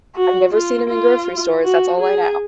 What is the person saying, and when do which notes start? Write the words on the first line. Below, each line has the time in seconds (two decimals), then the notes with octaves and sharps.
I've never seen 'em in grocery stores, that's all I know,
0.16 F#4
0.53 F4
0.89 F4
1.64 F#4
2.00 G#4